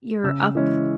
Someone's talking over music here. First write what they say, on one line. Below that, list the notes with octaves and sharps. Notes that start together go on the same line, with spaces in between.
you're up
C#3 E6
E3 G#3 C#4